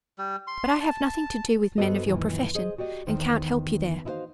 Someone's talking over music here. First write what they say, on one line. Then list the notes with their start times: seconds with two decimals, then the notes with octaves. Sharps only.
But I have nothing to do with men of your profession, and can't help you there.
0.18 G3
0.47 C6
0.80 A5
1.78 G2 B3 F#4 A4 C5 D#5
2.06 F#2 A#2 D#3 E3
2.55 G#4 C5 D#5
2.78 F#4 G4 D5 D#5
3.07 E2 D#3 C5
4.05 D#4 E4 F#4 G4 C5 F5